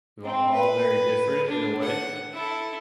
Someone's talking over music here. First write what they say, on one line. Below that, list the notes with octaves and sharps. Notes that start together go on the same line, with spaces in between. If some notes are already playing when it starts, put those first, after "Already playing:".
va all very different in a way,
C4
B4
D4
F#5
E4 A4